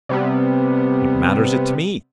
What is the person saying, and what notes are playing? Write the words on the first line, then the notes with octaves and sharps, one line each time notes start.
What matters it to me?
C3 G3 B3